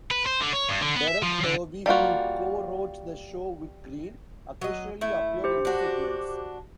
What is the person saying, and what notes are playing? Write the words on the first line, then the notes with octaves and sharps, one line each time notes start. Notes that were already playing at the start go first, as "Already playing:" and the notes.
Derek Harvie, who co-wrote the show with Green, occasionally appeared in the segments.
B4
C5
D3
C#5
G2
D3
B3
E5
F3
D3
G3 A#3 F4 F#4
F#3 D#5
A3 E4
G4 C5
D4 F#4